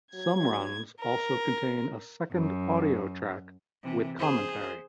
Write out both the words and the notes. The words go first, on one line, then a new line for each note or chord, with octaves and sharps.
Some runs also contain a second audio track with commentary.
F#3 G#6
A#4
F#2
C3 E3
G#4 C5